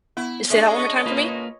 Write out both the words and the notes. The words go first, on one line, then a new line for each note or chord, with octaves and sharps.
Say that one more time for me.
B3 E4
G#3 C#4 D4 A4 C#5 D#5 E5
A#3 F4 B4